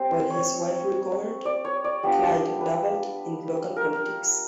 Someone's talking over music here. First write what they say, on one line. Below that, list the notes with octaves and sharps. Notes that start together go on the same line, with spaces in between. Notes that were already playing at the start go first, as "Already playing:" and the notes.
While his wife recovered, Clyde dabbled in local politics.
Already playing: G3 C4 C5
C#5
D5
C#5
D5
G3 B3 D4 F4
B4
A#4